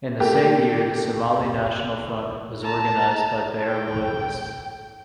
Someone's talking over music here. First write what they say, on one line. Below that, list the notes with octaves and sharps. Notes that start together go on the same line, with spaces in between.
In the same year the Somali National Front was organized by Barre loyalists.
A3 A#3 G4
A5 A#5
G5